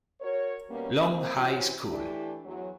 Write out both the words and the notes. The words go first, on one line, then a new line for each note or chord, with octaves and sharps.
Long High School.
F#4 A#4 C#5
B2 G3 A#3 B3 C#4
A#3 C4
C3 E3 C#4 F#4
E3 A3 D4 E4 G4
E2 F#3